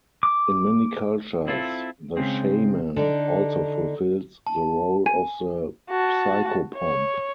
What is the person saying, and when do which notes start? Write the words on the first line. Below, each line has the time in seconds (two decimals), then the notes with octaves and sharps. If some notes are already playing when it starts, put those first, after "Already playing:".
In many cultures, the shaman also fulfills the role of the psychopomp.
0.23 D6
1.47 C4 E4 F4 A4
2.17 C#3 G#3 C4
2.96 D3 D4 D#4
4.47 A5
5.06 G#5
5.90 F#4 A5
6.78 C#5